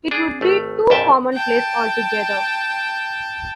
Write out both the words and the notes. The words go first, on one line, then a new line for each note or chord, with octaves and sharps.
It would be too commonplace altogether.
D4 G#4
G#1 A3
A#1 F2 G#2 E5 G5 A5
G5 A5